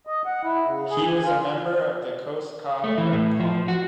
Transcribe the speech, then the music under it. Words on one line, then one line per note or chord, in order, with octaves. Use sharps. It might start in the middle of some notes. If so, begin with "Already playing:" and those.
He was a member of the Cos Cob Art Colony.
D#5
F#5
E4
C#3
G#4
G#5
F4
A3
E3
A2
F3
F#4